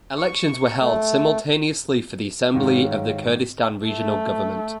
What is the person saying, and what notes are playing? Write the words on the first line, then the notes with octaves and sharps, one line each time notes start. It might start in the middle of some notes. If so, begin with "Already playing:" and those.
Elections were held simultaneously for the assembly of the Kurdistan Regional Government.
C#6
A3
G#2 D#3 G#4 C#5 F5
A3